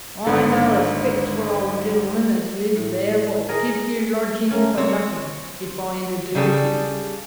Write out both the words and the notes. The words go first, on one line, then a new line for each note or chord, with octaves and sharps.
"I know a 'spectable old genelman as lives there wot'll give you lodgings for nothing if I interduce you."
G#1 D3 A4
A2
G#4 A#4
A3 A#3 C#4
C4 C#5
C#3 G3 G#4 A4